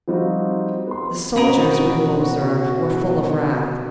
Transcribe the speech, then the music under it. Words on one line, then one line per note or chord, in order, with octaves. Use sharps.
The soldiers, we will observe, were full of wrath.
F3 G3 C4 D#4 F4 F#4
B3 C6
B2 C4 C#4 F#4 A#4 D#5 B5